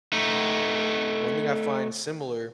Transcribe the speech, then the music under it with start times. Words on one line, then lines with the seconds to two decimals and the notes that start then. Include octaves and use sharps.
one thing I find similar,
0.13 A3 D#4